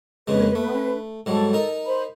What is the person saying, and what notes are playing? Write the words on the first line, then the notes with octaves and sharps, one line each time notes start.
Live and learn.
F2 C#3 G#3 B4
A3
G#2 F#3 G3 A4
D#4 A#4
C5 B5